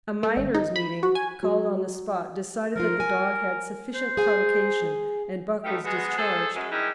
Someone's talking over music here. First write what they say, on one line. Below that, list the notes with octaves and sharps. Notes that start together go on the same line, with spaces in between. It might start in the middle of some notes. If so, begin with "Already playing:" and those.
A "miners' meeting," called on the spot, decided that the dog had sufficient provocation, and Buck was discharged.
A3
G#1
D#4
B5
F#4
G#5
F#3
F3 D#4 F4 A#4
G#5
C5
G#4 F5 G#5
B2 A3 D#4 F4 G4 A4
G#3 B3 F#4
G#4 A4 C5
F#2 G#3
D#3 G3 G#3 D#4 E4